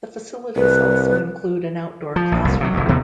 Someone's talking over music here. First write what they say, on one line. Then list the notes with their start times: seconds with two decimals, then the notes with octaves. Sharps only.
The facilities also include an outdoor classroom.
0.56 C2 B4
2.16 F3
2.32 A#1
2.45 F1 C2
2.61 C3 F3 F#3
2.74 F1 D2
2.88 E2 C3 D#3 B3